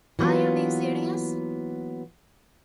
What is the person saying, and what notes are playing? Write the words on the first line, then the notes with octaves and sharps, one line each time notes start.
Are you being serious?
E3 F#3 A#3 B3 F4